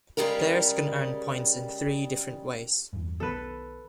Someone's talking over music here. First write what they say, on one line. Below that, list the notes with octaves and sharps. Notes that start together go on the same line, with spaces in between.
Players can earn points in three different ways.
C#3 G3 G#3 G4 A#4
E2 G2
B1 D#3 B3 A4 B4